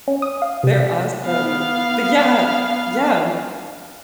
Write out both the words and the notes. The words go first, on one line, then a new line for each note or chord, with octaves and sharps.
they're awesome. But yeah, yeah m
C#4
D#6
F5
C3
B3 F5